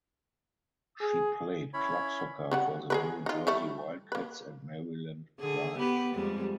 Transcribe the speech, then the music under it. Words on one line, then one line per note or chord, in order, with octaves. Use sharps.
She played club soccer for the New Jersey Wildcats and Maryland Pride.
G#4
C#4 E4 C#5 B5
C#3 G3 F#5
G#4 A#4 B4
D#4 F4
G3 A3 E4
A#3 B4
D3 G#4
B3 G4 B4
F2 G3 G#3